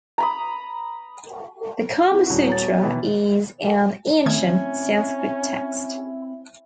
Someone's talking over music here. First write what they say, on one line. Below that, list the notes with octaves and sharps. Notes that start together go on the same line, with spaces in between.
The "Kama Sutra" is an ancient Sanskrit text.
A#5 B5 D#6
C4 E4
D#1 F#4
C#5 A#5 A6
B3
B2 D#3 E3
D#3 A3 C4 C#4 E4 G#6